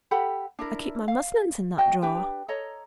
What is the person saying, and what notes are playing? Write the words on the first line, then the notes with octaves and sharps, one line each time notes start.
I keep my muslins in that drawer.'
G4 A4 F#5 B5
D4 E4 A#4
F5
F#4 D#5 G5
D4 G4 B4 G5
A4 C#5 D#5 A#5